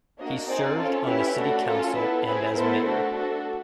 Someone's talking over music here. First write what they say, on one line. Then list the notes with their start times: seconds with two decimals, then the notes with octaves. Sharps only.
He served on the city council and as mayor.
0.19 A#3 D4 F#4 C#5 D#5
0.49 C4 D#4 G#4 C5 D5
0.78 C#4 F4 A4
1.08 C#4 E4 G4 B4
1.38 A3 D4 F#4 A4
1.67 C#4 F4 A4 A#4
1.96 B3 E4 A4 B4
2.26 C4 E4 G#4 B4
2.55 B3 E4 A4 A#4 C5
2.84 A3 D4 F#4 A4
3.14 D4 F#4 A4